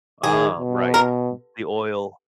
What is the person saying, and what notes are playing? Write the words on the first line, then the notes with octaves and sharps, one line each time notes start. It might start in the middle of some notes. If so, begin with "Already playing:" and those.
Ah, right. M the oil.
D#3 G#4
B2
A#4